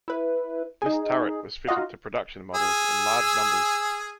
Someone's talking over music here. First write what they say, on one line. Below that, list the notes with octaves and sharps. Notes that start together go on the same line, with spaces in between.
This turret was fitted to production models in large numbers.
E4 B4
D#4 G#4
D#4 F4 F#4 D#5 F5
G#4 G#5 E6